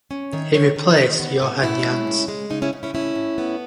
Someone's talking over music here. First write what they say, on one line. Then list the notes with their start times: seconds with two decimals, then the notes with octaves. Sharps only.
He replaced Johan Jans.
0.11 C#4
0.32 D#3 C#5 E5
0.55 D#3 A4 C#5
0.76 D#3
0.98 D#3
1.20 B3
1.42 A2
1.63 A2 C#4 E4
1.85 G#3
2.07 C#3
2.28 G#3
2.50 C#3 D#4
2.62 C#4 E4
2.73 C#3
2.83 C#4 E4
2.94 A2 C#4 E4
3.15 A2
3.38 B3